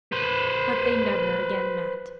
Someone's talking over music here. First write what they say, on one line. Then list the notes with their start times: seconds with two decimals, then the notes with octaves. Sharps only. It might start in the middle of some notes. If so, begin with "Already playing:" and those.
But they never again met.
0.12 B4 C5